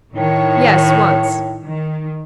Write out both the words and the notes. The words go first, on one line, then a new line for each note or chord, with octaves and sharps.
"Yes, once."
A2 D#3 C#5
D#3